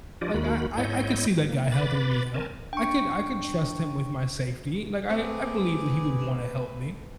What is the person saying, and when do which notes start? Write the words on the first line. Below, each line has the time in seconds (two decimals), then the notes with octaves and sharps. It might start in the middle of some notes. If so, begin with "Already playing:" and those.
Like I I I could see that guy helping me out, I could I could trust him with my safety, like I I believe that he would wanna help me,"
0.21 F3 D4 F4 G4 D5 D#5
0.34 D#2 D#3 A#3 F#4 B5
0.77 G#2 E4 C#5 D#5 G6
1.48 A#3
1.72 B4 B5 D6 A6
2.34 C4 A#4 G#5 A5
2.73 D4 G5 C#6
5.10 A3 C4 G#4 B4 D6